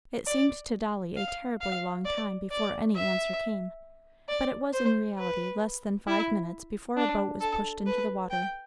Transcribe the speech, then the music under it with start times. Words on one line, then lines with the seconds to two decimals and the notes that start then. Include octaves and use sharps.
It seemed to Dolly a terribly long time before any answer came, but it was in reality less than five minutes before a boat was pushed into the water.
0.27 D5
1.17 F5
1.61 F5
2.05 D5
2.51 D5
2.95 E5
4.29 D5
4.73 C5
5.18 B4
6.07 E4
6.97 D4
7.41 A4
7.86 B4
8.30 G5